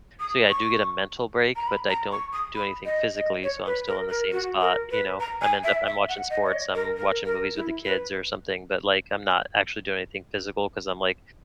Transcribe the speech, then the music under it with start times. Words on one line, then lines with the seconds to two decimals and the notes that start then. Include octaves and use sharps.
so, yeah, I do get a mental break, but I don't do anything physically, so I'm still in the same spot, you know? I'm end up I'm watching sports. I'm watching movies with the kids or something, but, like, I'm not actually doing anything physical 'cause I'm like
0.20 D#6
0.49 C#6
1.56 A#5
1.67 B5
1.89 A#5
2.12 C#6
2.33 D#6
2.55 B5
2.85 D#5
3.15 D#5
3.43 C#5
3.66 B4
3.87 A#4
4.09 A#4
4.32 F#4
4.61 A#4
4.91 B4
5.20 A#5
5.41 G#5
5.64 E5
5.87 E5
6.09 F#5
6.30 D#5
6.46 C#5
6.52 D#5
6.75 A#4
6.97 A#4
7.26 A#4
7.55 E4
7.85 B4